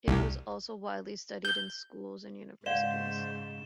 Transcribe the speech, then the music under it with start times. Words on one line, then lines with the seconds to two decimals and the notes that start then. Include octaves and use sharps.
It is also widely studied in schools and universities.
0.08 C2
1.45 G6
2.66 G#2 C#3 C5 D5 F5 F#5 E7 G7